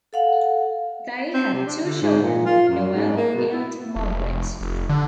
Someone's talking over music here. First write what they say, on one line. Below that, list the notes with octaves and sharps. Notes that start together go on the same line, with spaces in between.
They had two children, Noel and Margaret.
A4 F5 F#5
C4
C3
D4
D3
G#2
A#2
F4
F#2
G#2
A#3
B2
E4
F1
F1
D3